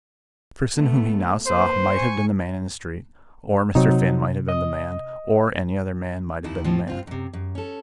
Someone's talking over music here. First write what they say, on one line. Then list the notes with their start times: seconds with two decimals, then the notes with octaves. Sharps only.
The person whom he now saw might have been the man in the street, or Mr. Finn might have been the man, or any other man might have been the man.
0.75 A3 B3
1.46 A#3 B4 C5
1.93 G#5 C#6
3.75 C3 F#3 C4 D#4
4.49 D#5 D#6
6.44 D#2 D#3 E4
6.64 A2 F3 C4
6.87 C4 F4
7.07 F#2 C3
7.33 F#2
7.55 C#4 A4